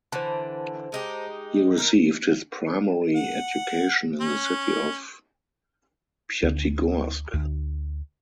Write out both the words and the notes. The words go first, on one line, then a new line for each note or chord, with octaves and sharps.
He received his primary education in the city of Pyatigorsk.
D3 E3 C5 A5
G#3 D#4 G4
D#4 A#4
F#5
C#4
D2
D2